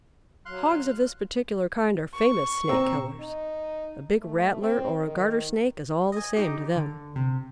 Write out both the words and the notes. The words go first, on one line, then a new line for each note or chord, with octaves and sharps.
Hogs of this particular kind are famous snake-killers--a big rattler or a garter snake is all the same to them.
F#3 F5 C6 F#6
C#6
A#2 C4 A#5 E6
D#4
A3
C4
D#3
D#5 G#5
D#4 G4
D3
C3